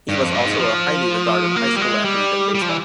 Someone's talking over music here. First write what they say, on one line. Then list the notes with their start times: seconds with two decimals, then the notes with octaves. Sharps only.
He was also a highly regarded high school athlete in baseball.
0.09 G2
0.22 F2
0.34 G2
0.45 G#2
0.59 F3
1.56 A#3
1.76 G3
1.81 G#3
2.05 G3
2.55 G3
2.62 F3
2.69 E3